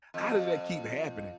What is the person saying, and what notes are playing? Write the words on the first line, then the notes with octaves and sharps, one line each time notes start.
how does that keep happening?
F2